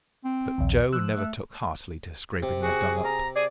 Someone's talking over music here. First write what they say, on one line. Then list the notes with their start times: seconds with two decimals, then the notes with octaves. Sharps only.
But Joe never took heartily to scraping the dung up.
0.25 C4
0.58 A#1 D#2
0.93 F3 E6 F#6
1.17 A3
2.43 C3
2.63 F#4 G#4
3.05 A#5
3.36 G#4 D5